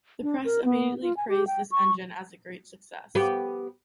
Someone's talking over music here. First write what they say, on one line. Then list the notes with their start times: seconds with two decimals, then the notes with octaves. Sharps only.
The press immediately praised this engine as a great success.
0.23 D4
0.45 A#4
0.65 B3
1.02 F4
1.17 G#5
1.29 G4
1.47 G5
1.71 C#6
3.15 B3 G4